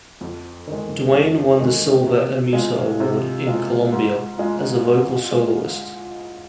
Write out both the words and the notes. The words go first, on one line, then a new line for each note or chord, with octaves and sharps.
Dwayne won the Silver Ermita award, in Colombia, as a vocal soloist.
F2
D#3 G#3
F2
D#3 G#3
C3
G#3 F4
C3
G#3 F4
G#2
G#3 F4 G#4
G#2
G#3 F4 G#4